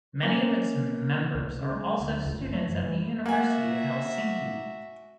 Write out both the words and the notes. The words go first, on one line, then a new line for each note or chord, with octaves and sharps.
Many of its members are also students at the University of Helsinki.
A#3 C#4
C#2
C2
C#3
G#3
D2
C#2
G1
A3
F#2
E3
A#3 F#4 E5 F#5 G#5